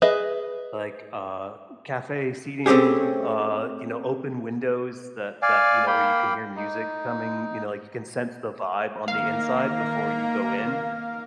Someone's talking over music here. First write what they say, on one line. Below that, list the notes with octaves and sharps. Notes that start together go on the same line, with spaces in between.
like, uh, cafe seating, uh, you know, open windows that that, you know, where you can hear music coming you know, like, you can sense the vibe on the inside before you go in,
G#4 B4 D#5 E5
A3 C4 C#4 G4 G#4
D5 F5 G#5
A#3 F5 G5 B5
D#4
D#3 A#3 A#4 F5